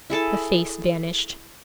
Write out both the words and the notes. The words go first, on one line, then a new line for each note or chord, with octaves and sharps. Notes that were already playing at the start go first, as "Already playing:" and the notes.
The face vanished.
E4 G#4 A4 A5